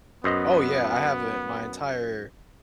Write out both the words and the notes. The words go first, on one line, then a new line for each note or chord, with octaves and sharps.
Oh, yeah. I have it my entire
F#2 B3 C5 D#5